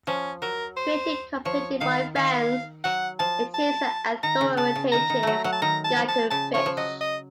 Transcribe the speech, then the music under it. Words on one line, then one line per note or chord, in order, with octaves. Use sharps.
Created completely by fans, it is the authoritative guide to Phish.
F3 C#4
F#3 A#4
C5
F3 C#5
D#3 F5
D#3 F5
F#3 F#5
F3 A5
A5
D#3 A#5
C#3
C#3 A5
C#3
D#3 A#5
D#3
F#3 A3
F#3 F#5
A5
D#3 A#5
A5
F3
A5
C#3 A5
F3 C#5
F3
F#3 D#5
D#5